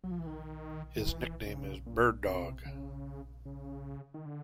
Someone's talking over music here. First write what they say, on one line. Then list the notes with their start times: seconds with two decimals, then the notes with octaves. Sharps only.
His nickname is Bird Dogg.
0.04 F#3
0.11 F3
0.19 E3
0.27 D#3
0.96 D#3
1.07 E3
1.46 C#3
1.86 A#2
2.26 C3
2.66 C#3
3.45 C#3
4.14 D#3
4.25 D3